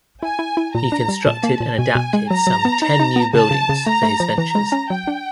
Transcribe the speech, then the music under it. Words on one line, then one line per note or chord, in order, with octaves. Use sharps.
He constructed and adapted some ten new buildings for his ventures.
E4 G#5
E4
E4
A#2 A#5
D4
G3
A#2 A5
A#3
A#2
B2 G#5
B2
G#3
F#3 A#5
F#3
B3
D#4
D#4
B3
C#3 A5
C#3
C#3
A3 A#5
A3
F3
E3 A#5
G#3
C#4
F#3 G5
D4